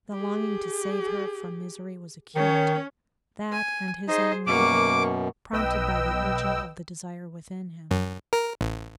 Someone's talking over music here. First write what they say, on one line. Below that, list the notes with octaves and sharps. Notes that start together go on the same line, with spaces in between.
The longing to save her from misery was acute, that, and his own love, prompted by the urging of the desire within him.
G4 G#4
D#3 C#4 C#5
G#5
D#4 G#4 C5 D#5
F#2 B2 A#3 C#6 D6
B1 B4 D#5 G5 E6
F#2
A#4
A1